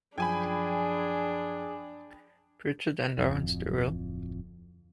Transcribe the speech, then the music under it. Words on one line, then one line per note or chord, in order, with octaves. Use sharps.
Pritchett and Lawrence Durrell.
F#2 F3 D4 G#4 G5 G#5 B5 G#6
D1 F2